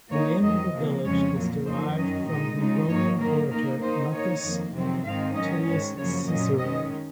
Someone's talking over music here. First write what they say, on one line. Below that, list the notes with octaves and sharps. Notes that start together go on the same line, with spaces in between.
The name of the village is derived from the Roman orator Marcus Tullius Cicero.
D#3 A#3 D#4 C#5
F2 D#3 F#3 D#5
C3 F3 A#3
F2 C#3 G#3 C#4 C#5
A#2 F#3 A#3
F#2 F3 A#3 D#4 C5
F#2 D#3 F#3 C#4 D#5
A#2 G#3 D#4 D#5
C#3 F3 G#3 D#4
G#2 D#3 A#3 D#4 C#5
D#3 F#3 A#3 A#4
D#3 A#3 D#4 A#4
D#3 A#3 D#4 C5
D#3 A#3 D#4 C#5
F2 D#3 A#3
F2 C3 D#3 F#3 C4
G#2 D#3 G#3 C4 D#4 F5
D#3 F#3 C#4 D#5
G#2 D#3 G#3 C#5
F#2 C#3 F3 A#3 C#4 C#5
A#2 F#3 C#4 D#5
D#3 G#3 C#4 D#5